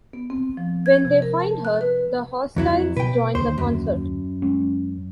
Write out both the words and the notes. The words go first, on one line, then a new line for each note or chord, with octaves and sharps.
When they find her, the hostiles join the concert.
B3
C4
F3
G#6
C3
A#4
A5
F#6
B4
F2 F#3 E4
B2 B4 G5
D#2 D3 A#3 C5
F#2
G#3 C#4